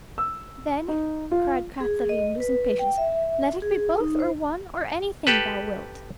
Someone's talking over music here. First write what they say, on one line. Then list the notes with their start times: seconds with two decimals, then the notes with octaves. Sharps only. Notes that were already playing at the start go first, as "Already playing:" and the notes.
"Then," cried Katharine, losing patience, "let it be both, or one, or anything thou wilt."
0.18 E6
0.88 D#4
1.31 F4
1.81 G#4
2.09 D#5
2.40 B4
2.79 G5
2.98 E5
3.62 G#4
4.00 D#4
4.20 C5
5.27 G4 A4 B4